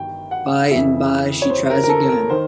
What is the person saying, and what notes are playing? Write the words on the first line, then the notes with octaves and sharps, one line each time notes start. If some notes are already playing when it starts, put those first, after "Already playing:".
By and by she tries again.
Already playing: G1 D#3 G5
F#5
F2 C#3 E3 E5
C#5
C5
A#4
A#4
A4
A#4
D#3 C5